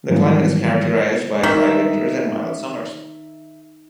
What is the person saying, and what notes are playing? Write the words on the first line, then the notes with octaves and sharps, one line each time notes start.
The climate is characterized by dry winters and mild summers.
G#2 D#3 E3 F#3 G3 A#3
D#3 D#4 E5